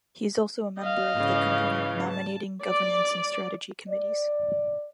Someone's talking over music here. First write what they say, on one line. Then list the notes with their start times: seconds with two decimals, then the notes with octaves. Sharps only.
He is also a Member of the Company Nominating, Governance and Strategy Committees.
0.80 D#5 F5
1.15 G#2 C#3 E3
2.10 A5
2.67 D5
3.89 D5